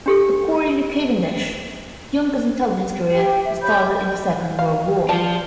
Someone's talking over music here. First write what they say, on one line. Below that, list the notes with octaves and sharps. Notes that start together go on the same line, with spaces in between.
According to Cavendish, Young's intelligence career started in the Second World War.
D4 G4 A4
G4 G5
E5
G4 C#5 B5 G6
F5
F3 F4 D5 A5